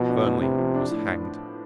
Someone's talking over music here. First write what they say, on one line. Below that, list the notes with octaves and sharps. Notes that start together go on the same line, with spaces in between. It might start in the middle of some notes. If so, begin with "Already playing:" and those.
Fernley was hanged.
Already playing: B2 F3
D4
A2
C3 B3
F3
D4
A2